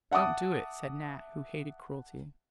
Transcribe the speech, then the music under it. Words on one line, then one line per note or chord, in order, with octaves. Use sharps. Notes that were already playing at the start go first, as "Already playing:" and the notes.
"Don't do it," said Nat, who hated cruelty.
E5 F#5 A5 D6 D#6